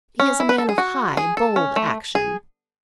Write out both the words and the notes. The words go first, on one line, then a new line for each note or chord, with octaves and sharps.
He is a man of high, bold action.
C#4
E4
B4
A4
G#4
F#4
G#4
A4
C#4
A3
G#4